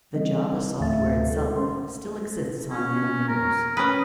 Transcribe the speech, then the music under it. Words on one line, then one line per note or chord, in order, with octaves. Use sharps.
The Java software itself still exists on many mirrors.
E3 G3 C4 D#5
D2 A2 A3 E5 F5 A6
G#3 A4
C#4 A#4 C5 C6
C#4
A#4
C#4 B4 D#6